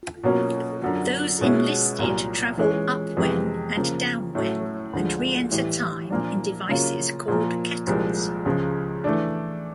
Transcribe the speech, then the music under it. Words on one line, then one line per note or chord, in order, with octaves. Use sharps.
Those enlisted travel "upwhen" and "downwhen" and re-enter time in devices called "kettles".
B2 F#3 A#3 C#4
F#2 D3 F#3
B2 G#3 C#4 E4
C2 A#2 F#3 A#3
E3 G#3 C#4
F2 C3 E3 G#3 B3
C#3 F3 A#3
A2 F#3 A3 C#4
D2 D3 F3 G#3
A2 E3 G3
A#2 F3 A#3 D4
C#3 F#3 A#3 C#4 F4
A#2 F3 A#3
C2 A#2 F3 G#3
C#2 C#3 F3 G#3
E3 A3 D4